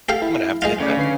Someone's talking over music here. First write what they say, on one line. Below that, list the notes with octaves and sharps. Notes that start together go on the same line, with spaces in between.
I'm gonna have to hit that up.
G4 A4 F5 A6
E4
G#3 D#4 F4
C#3 A3 D5
D3 B4 C7